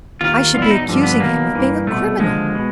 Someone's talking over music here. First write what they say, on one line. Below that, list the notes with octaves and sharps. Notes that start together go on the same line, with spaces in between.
I should be accusing him of being a criminal.
D#2 D#3 F4
E2 B2 F4
E4
D#4
G2 D3 F3
B3
B1 B2 A#3
G2 E3
C2 B2 A3
D#2 D3 F3 G#3
B2